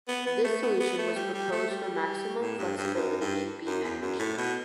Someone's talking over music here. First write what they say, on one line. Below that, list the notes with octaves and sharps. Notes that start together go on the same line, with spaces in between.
This solution was proposed for maximum flexibility in beam energy.
B3
B3
A3
B3
B3
A3
G3
G3
A3
G3
A2
G2
G2
F#2
G2
F#2
E2
F#2
A2
B2